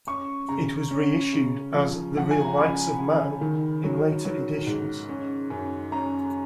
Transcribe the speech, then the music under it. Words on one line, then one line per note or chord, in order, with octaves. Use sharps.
It was re-issued as "The Real Rights of Man" in later editions.
C#4 C#6
C#3 A#5
C#4
C#3
F3
F3 F#5
G#5
A#5
C#3 B5
C#3
D#3
F#3
F#3
G#2
C#4
F#2
C#4 A#5